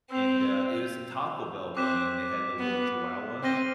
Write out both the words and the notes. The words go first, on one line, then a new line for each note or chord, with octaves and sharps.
and uh, it was the Taco Bell one when they had the little chihuahua.
C4 E6 G6 C7 F7
C4 D6 F#6 B6 E7
B3
C4 D6 F6 A#6 D#7 G7